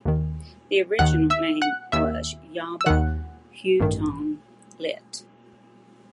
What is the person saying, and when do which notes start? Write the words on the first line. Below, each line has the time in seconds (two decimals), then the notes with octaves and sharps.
The original name was Yaba Hutong, lit.
0.05 D#2 D#3
0.99 D#2 D#3 F#5 F#6
1.30 E5 E6
1.62 F#5 F#6
1.92 D#2 D#3 E5 E6
2.81 E6
2.86 D#2 D#3 F#5 F#6
3.80 A1 G2 D#3